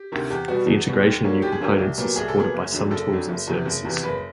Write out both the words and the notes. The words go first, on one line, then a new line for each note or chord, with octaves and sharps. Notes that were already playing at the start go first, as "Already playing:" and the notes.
The integration of new components is supported by some tools and services.
Already playing: G4
D2 C3 D#3
E2 G4
B2 G3 B3 F#4
E2
B2 G3 B3
D#2
D3 F#3 A#3 C#4
D#2 G4
G#4
D3 F#3 A#3 C#4 G4
C2
A#2 F#3 B3
C2 G#4
A4
A#2 F#3 B3 G#4
F#1
F2 D3 F#3
F#1 A4
F2 D3 F#3
F#1
E2 C3 E3
F#1
E2 C3 E3
F#1 B4